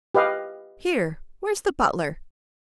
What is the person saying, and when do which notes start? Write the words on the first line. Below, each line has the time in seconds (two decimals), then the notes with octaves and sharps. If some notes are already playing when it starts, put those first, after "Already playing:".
'Here! where's the butler?
0.15 G4 B4 D#5 F5